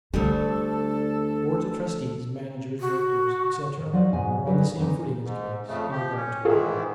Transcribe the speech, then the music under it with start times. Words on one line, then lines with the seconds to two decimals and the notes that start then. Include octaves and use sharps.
Boards of Trustees, Managers, Directors, etc., are on the same footing as committees, in regard to a quorum.
0.14 D2 D3 G3 A3 D4 A4
2.80 F#4
3.77 D#3
3.93 F#3 D#4 F4 C5 D5
4.13 G#2 B2 G#5
4.46 F#3 G3 E4 G#4 B4
4.78 E3 C4 D#4
5.24 G#2
5.67 F2 C#3 A3
5.92 F3 G4
6.15 C#4
6.45 G#2 D#3 E3 F4 G#4 A4